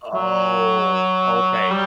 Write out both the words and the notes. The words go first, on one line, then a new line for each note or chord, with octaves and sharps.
Oh, okay.
F#3
G3